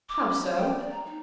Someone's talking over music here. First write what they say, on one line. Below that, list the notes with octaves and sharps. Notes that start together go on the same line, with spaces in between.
"How so?"
D6
C#4
C#5
G5
D5
A#5
D#4